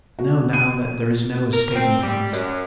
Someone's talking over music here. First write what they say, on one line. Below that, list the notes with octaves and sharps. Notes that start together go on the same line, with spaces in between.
I know now that there is no escaping from it.
F#4
D#7
A#4
C4
G3
F#2